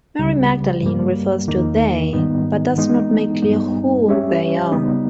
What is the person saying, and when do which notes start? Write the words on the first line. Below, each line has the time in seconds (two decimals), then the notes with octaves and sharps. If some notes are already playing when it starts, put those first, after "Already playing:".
Mary Magdalene refers to "they", but does not make clear who they are.
0.19 C#2 C#3 G3
0.83 G2 G3 A#3
1.48 E2 D#3 A#3 D#4
2.13 G#2 D#3 G3 B3 D#4
2.77 E3 G#3 B3 D#4
3.42 G2 G3 B3 D#4
4.08 G3 C#4 G4 C#5 E5
4.72 C#3 G3 B3 D#4